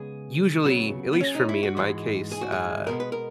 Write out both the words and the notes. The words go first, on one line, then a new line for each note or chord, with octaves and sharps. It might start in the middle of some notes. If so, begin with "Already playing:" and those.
usually at least for me in my case, uh,
Already playing: C#3 G#3 B3 G#4
C#3 F#3 B3 F#4
B3
C#4
D#4
E4
F#4
G#2 E3 G#3
G#4
F#4
G#4
B2 G#3 B3 A#4
B4
A#4